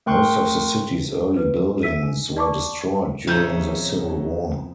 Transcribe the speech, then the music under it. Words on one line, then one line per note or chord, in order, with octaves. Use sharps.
Most of the city's early buildings were destroyed during the Civil War.
A3 A#4 G5 C6 C#6 F#6
B4
E5 E6 B6 D#7
D#4
D5 A5 C#6 D6
F2 A2 C#3 C#4 D#4 E4 G6